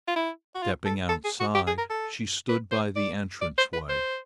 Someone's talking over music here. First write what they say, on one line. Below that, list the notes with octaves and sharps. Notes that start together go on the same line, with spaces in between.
Stepping outside, she stood by the entrance way.
F4
E4
F#4
F4
A4
A4
G#4
F#4
G4
G#4
A#4
A4
B4
C5
D5
D5
C5
B4
C5